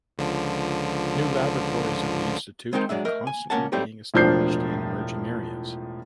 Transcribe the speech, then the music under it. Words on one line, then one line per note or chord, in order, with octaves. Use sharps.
New laboratories of the institute are constantly being established in emerging areas.
C#2 D3 F3
G#3 C4 D#4 A#4 C5 G5
F#3 G#3 D4 E5
A3 A#4 D#5
G#5
C#2 A#3 C#4 A#4 F#5 A5
F#3 G3 A3 C4 D#4 G4
E1 A2 F3 D4 G6 C7